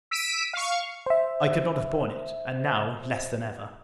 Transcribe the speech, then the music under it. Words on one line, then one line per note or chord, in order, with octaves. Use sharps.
I could not have borne it; and, now, less than ever.
E6 B6 D7 D#7
F5 C#6
C5 E5